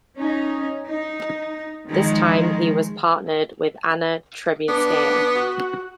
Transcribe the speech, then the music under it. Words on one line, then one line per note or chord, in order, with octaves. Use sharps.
This time he was partnered with Anna Trebunskaya.
C#4 D#4
D#4
D#3 F3 G#3
B3 D4
F#4